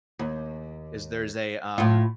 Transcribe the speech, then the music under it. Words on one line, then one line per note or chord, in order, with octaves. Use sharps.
is there's a, um,
D#2
A2 F4